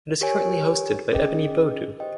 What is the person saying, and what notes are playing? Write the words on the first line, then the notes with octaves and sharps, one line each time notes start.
It is currently hosted By Ebony Boadu.
G4 A#4 C#5 G#5
C#4 G#4 D#5 G5
G4 C5 D#5 G5